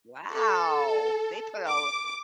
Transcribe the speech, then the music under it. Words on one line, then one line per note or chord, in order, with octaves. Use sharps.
Wow! They put al
A4
D6